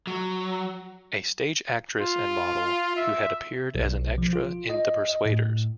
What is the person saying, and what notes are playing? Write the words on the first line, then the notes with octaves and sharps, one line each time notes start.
A stage actress and model who had appeared as an extra in The Persuaders!
F#3
F4
E5
B1
F3
F4
D#5
D#5
A2